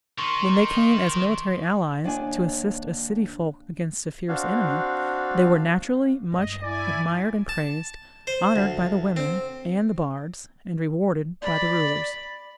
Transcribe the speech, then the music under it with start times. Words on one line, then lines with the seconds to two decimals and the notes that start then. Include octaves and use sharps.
When they came as military allies to assist a city folk against a fierce enemy, they were naturally much admired and praised, honoured by the women and the bards, and rewarded by the rulers.
0.18 D#3 D#4 C6 C#6
2.04 D#2 D4 D#5 G#5
4.28 C4 D4 F#4 F5
6.32 G#1 G2 D#5
6.63 E4 D5 G#5
7.49 A5
8.27 C5
8.56 D2
9.16 C4
11.42 D5 B5